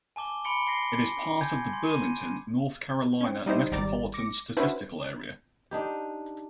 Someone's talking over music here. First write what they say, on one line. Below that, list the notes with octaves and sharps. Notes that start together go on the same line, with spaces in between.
It is part of the Burlington, North Carolina Metropolitan Statistical Area.
G#5 A5 D6 G7
B5 C6 C#7 D7 G7
A#6 C7 G7
G#5 G6 G#6
C6
D#7
C4 C#4
G3 D#4 E4 C5 D#5
G#1 G3 D5 A#5 A6
D6 A#6 C#7
C#4 D4 E4 F#4 B4 C5
D4 D#4 G4